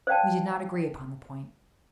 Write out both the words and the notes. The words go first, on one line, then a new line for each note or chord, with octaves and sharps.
We did not agree upon the point.
C5 D5 F5 G5 A5